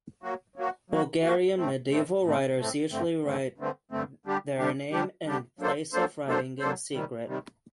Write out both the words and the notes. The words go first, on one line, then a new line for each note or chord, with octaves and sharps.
Bulgarian medieval writers usually write their name and place of writing in secret.
F#3 A#3 F#4
F#3 A#3 F#4
F#3 A#3 F#4
F#3 A#3 F#4
A2 A3 C4
A2 A3 C4
A2 A3 C4
A2 A3 C4
G2 D3 A3 C4
G2 D3 A3 C4
G2 D3 A3 C4
G2 D3 A3 C4
D3 G3 D4 G4
D3 G3 D4 G4
D3 G3 D4 G4
D3 G3 D4 G4
F#3 A#3 D4 A4 C5
F#3 A#3 D4 A4 C5
F#3 A#3 D4 A4 C5
F#3 A#3 D4 A4 C5
C3 D#3 G3
C3 D#3 G3